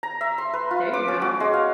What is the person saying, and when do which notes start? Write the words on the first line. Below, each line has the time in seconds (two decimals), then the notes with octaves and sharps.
There you go.
0.03 A#5
0.21 E5
0.38 C6
0.53 B4
0.71 F4
0.93 D6
1.08 C#4
1.22 F#4
1.40 G#3
1.53 F5